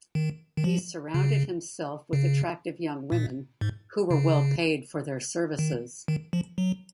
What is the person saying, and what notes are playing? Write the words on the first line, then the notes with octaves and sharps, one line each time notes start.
He surrounded himself with attractive young women, who were well paid for their services.
D#3
D#3
F3
C#3
C#3
A#2
G#2
C#3
D#3
D#3
F3
F#3